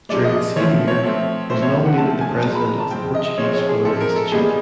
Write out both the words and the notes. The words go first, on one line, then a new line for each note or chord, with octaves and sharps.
During the same year, was nominated the president of the Portuguese Film Institute.
C3 F3 G#3 D5
D#5
F3 A3 C4 C#5
C#5
F3 A3 C4
F3 A3 C4 C5
C#5
F#5
F3 A3 C4 A5
G#5
A5
F3 G#3 C4 A#5
B5
A#5
A5
F3 G#3 C4 G5
D#5
F3 G#3 C4 C#5
C#5
G#4
F3 G#3 C4 A4
A#4
A4
A#2 G3 B3 D#4 G#4